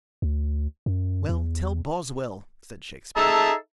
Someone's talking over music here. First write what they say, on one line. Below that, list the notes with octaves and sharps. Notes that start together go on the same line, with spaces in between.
"Well, tell Boswell," said Shakespeare.
D2
F#2
E2
D#4 G#4 A4 E5 A5 A#5